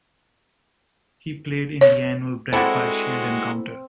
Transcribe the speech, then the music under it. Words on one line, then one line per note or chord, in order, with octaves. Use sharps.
He played in the annual Bradby Shield Encounter.
C#5
G#3 C4 E4 F#4 A4 D5 F#5 B5